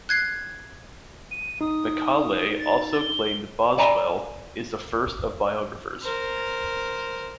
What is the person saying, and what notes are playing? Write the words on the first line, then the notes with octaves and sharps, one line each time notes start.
Macaulay also claimed Boswell is the first of biographers.
F#6 G#6 C7
D#7
D#4 D#6
A6
G7
D5 G#5 A#5 B5
A#4 C5